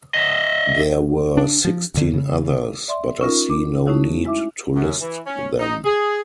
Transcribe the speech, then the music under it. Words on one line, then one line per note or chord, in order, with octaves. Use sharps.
There were sixteen others, but I see no need to list them.
D#5 E5
D4
F3
D2 D3
C#3
D5 E5 C6
C#4 D#4 F4 A#4
D6
A3 C#4 D#4 E4 F#4 C#5
G#3 E4 E5 D6
F#2
E3
C#4
D#4
G#4